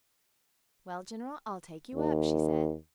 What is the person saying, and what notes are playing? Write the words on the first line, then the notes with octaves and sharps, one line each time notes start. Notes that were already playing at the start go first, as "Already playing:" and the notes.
"Well, general, I'll take you up," she said.
D#2